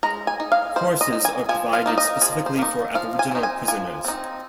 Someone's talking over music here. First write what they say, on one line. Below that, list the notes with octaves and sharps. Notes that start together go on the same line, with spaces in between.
Courses are provided specifically for Aboriginal prisoners.
G#3 A#5
G#5
D#4
F5
G#3 C5
D#5
D#4
G#5
F3 G#5
F5
A#3 D#4
D#5
F3 G#4
C5
A#3 D#4
F3 F5
G#5
C4 D#4
G#5
F3 G#5
C4 D#4